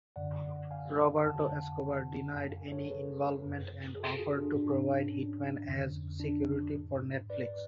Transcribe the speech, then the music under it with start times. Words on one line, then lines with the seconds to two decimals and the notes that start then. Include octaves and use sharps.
Roberto Escobar denied any involvement and offered to provide hitmen as security for Netflix.
0.16 F#2 D3 D5 F#5
0.71 F5 G#5
1.25 F2 D3 F#5 A5
2.35 F#2 C#3 F5 G#5
2.72 A4 C#5
2.90 G#4 B4
3.45 F#2 C#3
3.95 G#4
4.00 F#4 A4
4.18 F4 G#4
4.37 D4 F#4
4.54 G#2 D4
5.10 C#4
5.64 F2 D3
6.20 D4
6.75 G#2
7.30 B4 D5